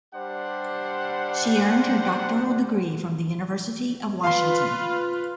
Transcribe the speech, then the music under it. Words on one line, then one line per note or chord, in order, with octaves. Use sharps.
She earned her doctoral degree from the University of Washington.
G3 D4 G4 C5 F#5
F4 B4 F5 C6